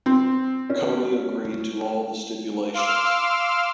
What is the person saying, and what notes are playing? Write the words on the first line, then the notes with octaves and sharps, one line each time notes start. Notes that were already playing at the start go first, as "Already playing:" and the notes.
Cody agreed to all the stipulations.
C4
C#4
F5 C6 D6 E6 F6